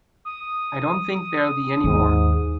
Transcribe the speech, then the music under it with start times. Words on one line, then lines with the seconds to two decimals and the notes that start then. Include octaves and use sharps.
I don't think there'll be any more.
0.25 D#6
1.84 D#2 G#2